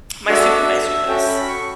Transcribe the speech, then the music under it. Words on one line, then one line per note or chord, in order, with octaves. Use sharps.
my supervisor this.
D4 F#4 A4 E5
C#4 F#4 A4 G5
B5
C#6